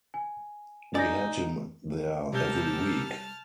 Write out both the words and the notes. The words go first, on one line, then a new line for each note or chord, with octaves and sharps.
We had him there every week.
G#5
D#4 D5 G#5 G6 A#6
C3 G3 G4 A4 A#4 A5 F6 G6